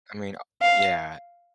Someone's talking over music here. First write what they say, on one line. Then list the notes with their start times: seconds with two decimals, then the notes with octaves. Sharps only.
I mean o yeah.
0.62 F5